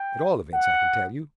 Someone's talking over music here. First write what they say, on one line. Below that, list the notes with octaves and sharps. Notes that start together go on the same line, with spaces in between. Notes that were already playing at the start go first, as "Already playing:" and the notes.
At all events, I can tell you.
Already playing: G5
F#5